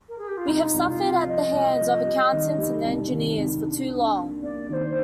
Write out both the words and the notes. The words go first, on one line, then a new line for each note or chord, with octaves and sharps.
We have suffered at the hands of accountants and engineers for too long.
A#4
G#4
G4
F4
C2 D#4
C2
F4
C3
F3 D#5
C2
F3
G3
D#3
G3
C2
D#3
C2
D4
D4
A#3
A#3 D5
D#3 C5 D5